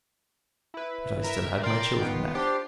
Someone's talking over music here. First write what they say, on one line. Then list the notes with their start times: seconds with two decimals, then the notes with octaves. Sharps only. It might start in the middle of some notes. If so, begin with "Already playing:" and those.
But I still had my children left.
0.74 E4 B4
1.22 A#4 E5
1.63 A#4 D5 G5 C6
1.98 D#3 B3 F4
2.35 D4 G4 C5 C6